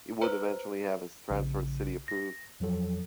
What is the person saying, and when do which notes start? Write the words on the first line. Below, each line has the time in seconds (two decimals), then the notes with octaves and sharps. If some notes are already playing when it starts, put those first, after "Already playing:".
He would eventually have his transfer to City approved.
0.21 B4 C5 A#5
1.30 A#1 C#3
2.08 A#6
2.60 F2 F3 F#3 A4